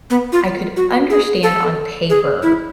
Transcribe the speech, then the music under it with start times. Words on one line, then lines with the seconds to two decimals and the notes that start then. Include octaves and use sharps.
I could understand on paper
0.10 B3
0.32 F4
0.77 F#4
1.10 G#4
1.43 A4
2.10 G#4
2.43 E4